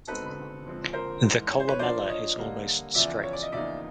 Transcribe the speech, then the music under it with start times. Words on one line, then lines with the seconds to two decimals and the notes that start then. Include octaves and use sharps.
The columella is almost straight.
0.07 B2 G#3 C4 D#4 A4 B4
0.65 A#2 F3 G#3 C4
0.93 A#4 C5
1.23 G#2 E3 G#3
1.51 C#5
1.60 C5
1.68 B4 C#5
1.79 A#2 F3 A#3 D4 C5 D5
2.08 C#5 D#5
2.38 D3 G3 A#3
2.94 E2 C#3 F3 D5 E5
3.23 C#5
3.33 D5
3.42 D#5
3.52 E2 C#3 F3 A#3 D#4 D5 E5